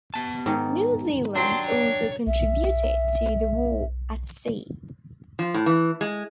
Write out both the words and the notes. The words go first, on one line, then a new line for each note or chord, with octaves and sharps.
New Zealand also contributed to the war at sea.
B3 A5
G#2 D#3
F#3 D4 G5 C6
C#5
B1 E5
F3
A2
E3
G#3